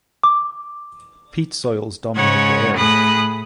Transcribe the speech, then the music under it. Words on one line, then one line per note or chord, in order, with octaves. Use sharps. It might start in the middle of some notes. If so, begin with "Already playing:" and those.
Peat soils dominate the area.
D6
G#2 C#3 C#5 F#5 G#6
A2 G#4 B5 D#6 F#6